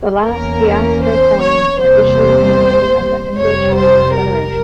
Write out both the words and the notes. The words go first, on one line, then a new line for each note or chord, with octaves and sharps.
The last piastre coins were issued in the name of the "Indochinese Federation".
E2 E3 A#3 C#4 A#4
C5
C#5
E2 C3 G3 A#3 C5
F2 C3 G3 C#5
C5
A#4